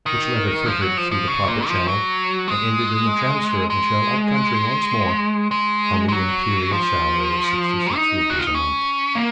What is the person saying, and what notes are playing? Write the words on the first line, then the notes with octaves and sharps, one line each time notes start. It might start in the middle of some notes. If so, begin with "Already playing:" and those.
Which letter filtered through the Proper Channels, and ended in the transfer of Michele up-country once more, on the Imperial salary of sixty-six rupees a month.
D#3
F3
F#3
F3
F3
C#3
A#2
F3
F#3
G#3
G#3
G#3
G#3
F#3
F3
D#4
F#4
F4
D#4
C#4
A#3